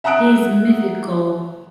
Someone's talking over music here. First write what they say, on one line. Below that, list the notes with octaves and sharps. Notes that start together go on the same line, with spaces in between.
He's mythical.
E5 F#5 A#5 D#6 F#6 D7